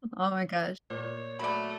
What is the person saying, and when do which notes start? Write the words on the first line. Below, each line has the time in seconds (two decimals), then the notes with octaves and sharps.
oh my gosh.
0.90 A#2 C#5
1.39 F#3 A3 D5 B5